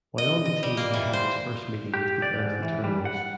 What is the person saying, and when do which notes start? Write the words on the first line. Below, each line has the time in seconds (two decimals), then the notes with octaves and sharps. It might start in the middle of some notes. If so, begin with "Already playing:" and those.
While on the team he had his first meeting with the Earth Eternals.
0.18 D#5
0.45 D#5
0.63 G3
0.77 A#3
0.94 E3
1.13 C5
1.94 G4
2.22 D5
2.39 G#2
2.62 E3
2.84 G3
3.05 F#5